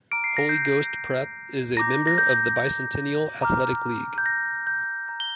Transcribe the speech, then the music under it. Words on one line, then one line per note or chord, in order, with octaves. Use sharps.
Holy Ghost Prep is a member of the Bicentennial Athletic League.
A#5 D6 F6 D7
C7
A#6
G6 C7
A#5 D6 G6 A#6
A#6
G6
A#5 D6 F6
G6
A#6
G6
A#5 G6
G7